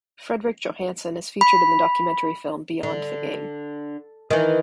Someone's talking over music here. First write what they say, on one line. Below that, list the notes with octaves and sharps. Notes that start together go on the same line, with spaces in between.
Fredrik Johansson is featured in the documentary film "Beyond the Game".
B5
D3
D#3 E3